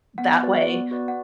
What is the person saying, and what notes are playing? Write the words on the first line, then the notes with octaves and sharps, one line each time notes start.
that way.
B3 F#5
F#4 B4 D5
B3
F#4 B4 D5
F#5